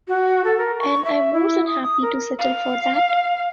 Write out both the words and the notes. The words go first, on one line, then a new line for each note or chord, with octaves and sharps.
And I'm more than happy to settle for that.
F#4
A4
A#4
C#6
E5
E4
D#6
D#6
A#4
F5